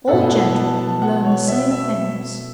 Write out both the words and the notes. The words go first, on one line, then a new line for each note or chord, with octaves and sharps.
"All gentlemen learn the same things."
B2 B3 E4 A4 F#5
F#5
A5
A5
F#5
C#5
E5
E5